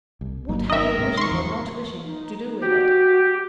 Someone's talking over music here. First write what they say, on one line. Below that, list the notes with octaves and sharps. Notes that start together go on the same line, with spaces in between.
What had your wishing or not wishing to do with it?
C2
G1 F#3 A#3
D#3 A#4 D#5 E5
G#2 C3 G#3
C6 C#6
E2 E3
D#4
F#4 G4